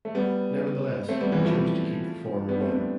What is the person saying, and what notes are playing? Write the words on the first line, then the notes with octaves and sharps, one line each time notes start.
Nevertheless, he chose to keep the former name.
A3
G3 B3
A3 C4
G3 B3
E3 G3
F3 A3
G3 B3
A3 C4
B3 D4